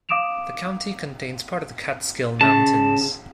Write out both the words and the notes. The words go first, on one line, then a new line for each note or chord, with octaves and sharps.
The county contains part of the Catskill Mountains.
F5 D6 D#6 D7 E7 F7
C#3 A5